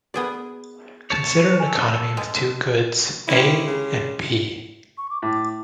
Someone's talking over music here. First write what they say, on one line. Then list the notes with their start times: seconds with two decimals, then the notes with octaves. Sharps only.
Consider an economy with two goods, A and B.
0.14 B3 F#4 G#4 A#4 B4 D5
1.10 C#5 A5
1.60 A4 G#5
2.17 G#3 B4
3.28 G#3 C#4 E4 G4
3.67 C#3
4.98 C#6
5.10 D6
5.22 A2 D6